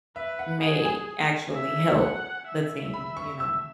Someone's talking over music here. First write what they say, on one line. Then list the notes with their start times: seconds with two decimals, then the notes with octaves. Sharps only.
may actually help the team, you know?
0.16 B4 E5
0.39 F#5
0.62 G#4 F#5
0.85 G#5
1.55 E5
2.00 F#5
2.47 E5
2.94 B5
3.17 C#6
3.40 E6